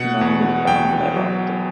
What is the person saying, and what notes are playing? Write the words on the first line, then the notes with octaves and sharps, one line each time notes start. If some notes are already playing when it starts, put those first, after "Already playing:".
None were found thereafter.
Already playing: B2 F#5
E2
E2 G5
F#3